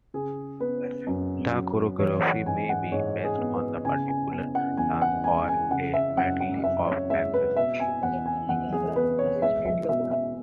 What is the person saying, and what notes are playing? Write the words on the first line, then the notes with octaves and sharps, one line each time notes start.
The choreography may be based on a particular dance or a medley of dances.
C#3 G#4
B3 B4
F#2
F#3
E3 C#5
F#5
G#2 G#5
F#5
G#2 C#5
G#4
B3
B4
C#3 G#5
G#5
B3 G#5
F#5
E2 G#5
F#5
G#3 G#5
G#5
C#3 F#5
E5
F#2 F#5
F#5
F#2 E5
C#5
G#3 E5
B4
B2 E5
G#5
E2 F#5
G#5
E2 F#5
G#4
B3 B4
C#5
G#3 E5
E5
B2 E5
E5